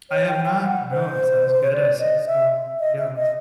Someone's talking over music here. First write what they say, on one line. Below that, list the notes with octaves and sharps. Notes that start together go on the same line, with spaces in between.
I have not, no, it sounds good, I say so, yeah, what's u
C#5
G5
G5
F#5
C5
C5
C#5
D5
D#5
E5
D#5
E5
D#5